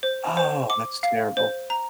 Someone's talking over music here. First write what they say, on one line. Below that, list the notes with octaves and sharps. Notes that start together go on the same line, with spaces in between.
Oh, that's terrible.
C5
C5
D6
F5
C5
A#5